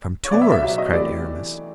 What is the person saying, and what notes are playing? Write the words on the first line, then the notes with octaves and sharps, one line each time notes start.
"From Tours!" cried Aramis.
C#5
B2 F#3 B3 D5
E5
E5
B2 F#3 B3 E5
D#5
C3 E3 A3 D5